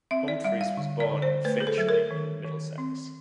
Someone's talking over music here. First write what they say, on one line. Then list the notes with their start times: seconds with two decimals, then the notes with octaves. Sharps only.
Humphreys was born in Finchley in Middlesex.
0.11 C4 E5
0.28 D5
0.44 G3 E5
0.61 F5
0.77 D3
1.00 D5
1.11 D3
1.22 C5
1.45 A3 B4
1.60 G#4
1.67 A4
1.78 F#3
1.89 A#4
2.11 D#3
2.44 D#3
2.78 C4